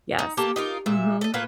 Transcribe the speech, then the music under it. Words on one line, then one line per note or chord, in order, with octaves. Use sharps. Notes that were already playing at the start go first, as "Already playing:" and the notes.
Yes. Mhm.
D#4
A#3 G4 A4 A5
D#4 F4 A#4
A#2 E5
A4 D#5
A2 A#3 F4 B4